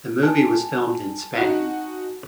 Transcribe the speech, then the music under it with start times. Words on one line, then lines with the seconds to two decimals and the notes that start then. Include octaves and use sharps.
The movie was filmed in Spain.
0.23 G#5 A5
1.37 D#4 F#4